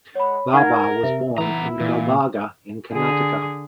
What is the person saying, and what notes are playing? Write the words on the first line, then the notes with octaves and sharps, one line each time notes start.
Babar was born in Gulbarga in Karnataka.
G#3 C#5 F#5 B5
D#4 A#4 F#5 G#6
C3 E5
E3 B3 E4 A#5
A#2 E3
D3 G#4